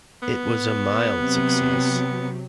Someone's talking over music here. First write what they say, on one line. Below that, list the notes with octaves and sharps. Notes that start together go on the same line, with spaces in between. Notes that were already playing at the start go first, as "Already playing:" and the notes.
It was a mild success.
B3
C3 F#3